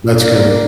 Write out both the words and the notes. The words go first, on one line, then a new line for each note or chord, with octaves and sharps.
That's good.
A#3 D4
A#3 D4
A#3 D4